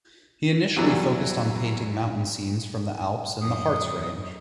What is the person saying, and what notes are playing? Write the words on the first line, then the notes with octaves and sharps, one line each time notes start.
He initially focused on painting mountain scenes from the Alps and the Harz range.
E2 E3 F#3 G3 D4
F#2 D#6